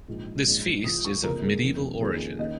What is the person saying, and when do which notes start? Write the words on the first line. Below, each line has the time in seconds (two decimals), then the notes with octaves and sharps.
This feast is of medieval origin.
0.08 A#1 G#2 G#3
0.46 A#1 G#2 G#3 C#4
0.84 C#2 C#3 F3 D#6
1.05 C#6
1.24 F1 F2 C#3 F3 A#3 A#4
1.43 G#4
1.62 F1 D#2 D#3
2.00 F2 D#3 A#3 C#4 G#4
2.39 D#3 A#3 C#4 D#5